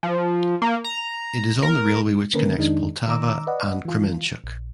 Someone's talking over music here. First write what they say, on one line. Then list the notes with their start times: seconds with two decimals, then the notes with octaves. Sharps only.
It is on the railway which connects Poltava and Kremenchuk.
0.03 F3
0.62 A#3
0.84 A#5
1.62 A#4
2.34 D3 D#3 A#3 C#4 A#4 B4
2.58 F2 D#3 G#3 D4 D#4
3.08 D#3 D#4 A#5 D6 E6
3.47 B4 D5 D#5 F#5
3.85 E3 F4
4.44 A#1